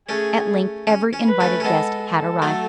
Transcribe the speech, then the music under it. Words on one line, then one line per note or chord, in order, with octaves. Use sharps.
At length every invited guest had arrived.
A3 C#4 G#4
C#4
C#4
B4
A3 C#4
C#4
G#3 B3 A4
A4
F#3 A3